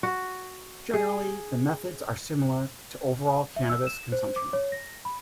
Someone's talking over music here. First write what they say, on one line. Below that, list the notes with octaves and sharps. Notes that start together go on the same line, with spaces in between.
Generally the methods are similar to overall cannabis consumption.
F#4
G#4
E5
E6
E7
C5
D6
C#5
A#6
B5